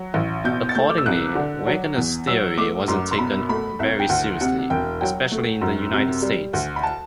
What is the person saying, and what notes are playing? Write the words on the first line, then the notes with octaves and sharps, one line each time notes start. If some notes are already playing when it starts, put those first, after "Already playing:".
Accordingly, Wegener's theory wasn't taken very seriously, especially in the United States.
Already playing: F#3
A1
B2 G6
A6
A3 G6
D6
E6
C2 F#6
D3
F#3
E2
F#3 E6
A3 D6
F#2 C6
C6
B2 B5
A3 B5
C2 E5
G5
D2 F#5
C3 F#5
F#5
E1 G5
F#3 G5
A3
F#2
C3
G3
D2
B5
A5